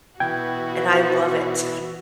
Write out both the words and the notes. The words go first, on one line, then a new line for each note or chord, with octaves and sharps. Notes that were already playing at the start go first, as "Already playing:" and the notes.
And I love it.
B2 E3 F#4 G5 G#6